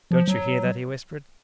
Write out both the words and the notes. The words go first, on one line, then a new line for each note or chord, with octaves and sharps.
"Don't you hear that?" he whispered.
F3
F#3